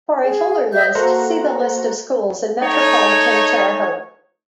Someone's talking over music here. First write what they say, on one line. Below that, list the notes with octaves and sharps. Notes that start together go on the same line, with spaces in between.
For a fuller list, see the List of schools in metropolitan Terre Haute.
G#4
D#5 E5 G6
A#3 F#4 A4 C5 F#5 A#5
A3 D#4 C#5